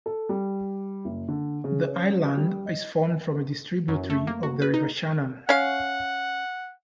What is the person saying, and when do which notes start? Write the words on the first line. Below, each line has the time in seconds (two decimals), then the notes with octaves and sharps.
The island is formed from a distributary of the River Shannon.
0.06 A4
0.29 G3
1.05 F#1
1.28 D3
1.64 C#3
1.87 C#4
2.37 G3
2.66 D#5
3.88 F#2
4.10 A3
4.27 A#3
4.43 F#4
4.62 B4
4.74 D#4
5.49 C#4 F5 F#5